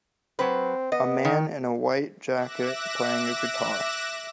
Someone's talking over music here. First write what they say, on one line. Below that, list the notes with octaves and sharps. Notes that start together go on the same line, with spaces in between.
A man in a white jacket playing a guitar.
F#3 C4 B4
B3 D#5
D#3
E5 D6 F#6 A#6 E7